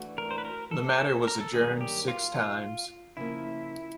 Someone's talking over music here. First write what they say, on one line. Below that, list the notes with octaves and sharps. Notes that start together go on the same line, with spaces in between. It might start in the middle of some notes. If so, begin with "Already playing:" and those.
The matter was adjourned six times.
Already playing: E3 A3 D4 F#4
A#4
C5
B4
A#4
A4
A#4
A4
G2 D#3 F#3 A#3 G#4
G4
F4
C#3 F3 A#3 E4